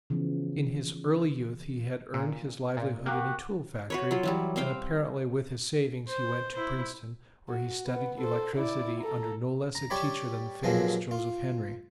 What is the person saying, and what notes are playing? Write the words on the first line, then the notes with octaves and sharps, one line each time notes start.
In his early youth he had earned his livelihood in a tool factory; and, apparently with his savings, he went to Princeton, where he studied electricity under no less a teacher than the famous Joseph Henry.
C#3 E3 F3 B3
A#2
A#2
A#3 F#4 G4 F#5
F#4 B4 C#5
F#3 F4
E3 F#3 G3
C4 C5 F5 G5
C5
E4 C5
F#4
B3
A4 C5
E4 D5
A4 A#5
A#5
G3 G4 C#5 D5 B5
G2 A#2 F3 F#3 G#3
F4